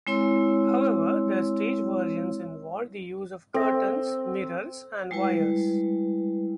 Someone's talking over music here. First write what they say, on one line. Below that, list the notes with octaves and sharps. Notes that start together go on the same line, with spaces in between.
However, their stage versions involved the use of curtains, mirrors and wires.
G#3 C4 E4 C#5 C6 E6
C4 A4 E5
G3 G#3 E4 B4